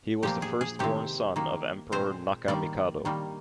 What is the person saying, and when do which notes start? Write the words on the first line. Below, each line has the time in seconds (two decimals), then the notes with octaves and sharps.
He was the firstborn son of Emperor Nakamikado.
0.23 A#2 F3 A#3 G4
0.42 G#4
0.61 G#4
0.79 C3 D#3 G#3 C4 G4
1.36 D#3 A#3
1.92 A#2 G#3 C4 C5
2.48 D#3 G3 A#3 D5
3.05 D#3 G3 A#3